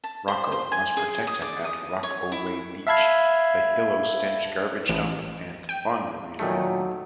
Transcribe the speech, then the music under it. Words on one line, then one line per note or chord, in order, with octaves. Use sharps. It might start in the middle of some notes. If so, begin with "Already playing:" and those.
Rocko must protect him at Rock-O-Whey Beach, the Hill-O-Stench garbage dump, and Laundryland.
A5
C5
C5
G#5
G#4
D#6
D5
D#6
C#5
E4
E5 F5 A5 B5 G#6 C7
A1
G5
A#2 D#3 F#3 A3